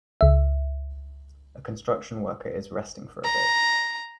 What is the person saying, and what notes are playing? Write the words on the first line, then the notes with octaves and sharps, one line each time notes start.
A construction worker is resting for a bit.
C#2 E5
A#5